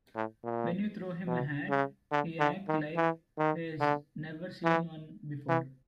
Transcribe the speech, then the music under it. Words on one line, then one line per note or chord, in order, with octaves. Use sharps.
When you throw him a hat, he acts like he's never seen one before.
A2
A#2
B2
C#3
D3
D3
D#3
E3
D#3
D3
E3
E3